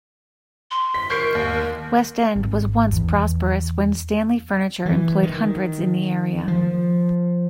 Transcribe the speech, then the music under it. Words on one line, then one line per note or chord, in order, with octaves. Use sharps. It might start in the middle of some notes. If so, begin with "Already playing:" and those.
West End was once prosperous when Stanley Furniture employed hundreds in the area.
C6
B6
A#4 C#6 G6 C7
D#2
G#1
E2
E3
D#3
F3